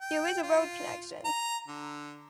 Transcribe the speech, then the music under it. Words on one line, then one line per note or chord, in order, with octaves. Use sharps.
There is a road connection.
G5
F4
A#5
D3